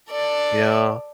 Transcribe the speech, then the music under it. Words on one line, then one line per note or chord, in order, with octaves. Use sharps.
You know?
A4 D5